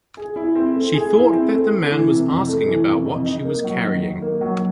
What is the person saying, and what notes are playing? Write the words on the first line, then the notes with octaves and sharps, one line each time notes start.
She thought that the man was asking about what she was carrying.
G#4
E4
C4
A3
G#4
E4
C4
A3
A3
E3
C3
F2
A3
E3
C3
F2
D#4
A#3
F#3
D#3
D#4
A#3
F#3